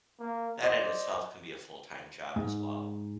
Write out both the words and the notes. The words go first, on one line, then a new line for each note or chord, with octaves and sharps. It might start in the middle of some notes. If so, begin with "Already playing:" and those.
that in itself can be a full-time job as well.
A#3
C5 D5 D#5
G#2